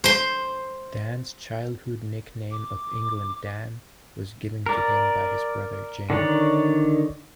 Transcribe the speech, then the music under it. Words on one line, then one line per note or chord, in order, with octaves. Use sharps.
Dan's childhood nickname of "England Dan" was given to him by his brother Jim.
C5 C6
D6
A#4 D5
D3 D#3 D4 C#5 D5